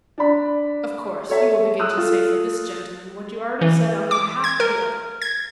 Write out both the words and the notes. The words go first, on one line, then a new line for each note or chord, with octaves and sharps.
"Of course, you will begin to say for this gentleman what you already said on the behalf of the other."
D4 D5 B5
A4 C#5 E5
D#6 E6 F#6
F4 A4
E3
D6
G#6
A#4
G#6